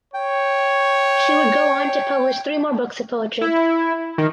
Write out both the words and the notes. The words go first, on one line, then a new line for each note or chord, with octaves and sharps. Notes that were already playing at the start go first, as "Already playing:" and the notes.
She would go on to publish three more books of poetry.
C#5 G5
E4
D#3